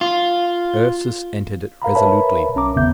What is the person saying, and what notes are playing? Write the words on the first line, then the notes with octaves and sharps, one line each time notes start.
Ursus entered it resolutely.
F4
A#4 F5 A#5 B5
A#4 B4 C#5 E5 A5 B5
B1 C#4 A#5 D6
G#1 E2 C#3 B3 E5 G6